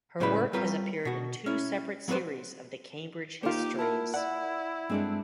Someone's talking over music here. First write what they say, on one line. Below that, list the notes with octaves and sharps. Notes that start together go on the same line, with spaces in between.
Her work has appeared in two separate series of the Cambridge histories.
A2 C#3 G3 B3 E4 B4
G3 C4 F4 A#4 B4 C#5
B2 F#4
C#4 E4
F#3 B3 C4 A4 B4 C5
A#3 D#4 F4 G4 C5
E4 A#4 F#5 A5
E4 D5 F#5
G2 G#3 C4 D4 A4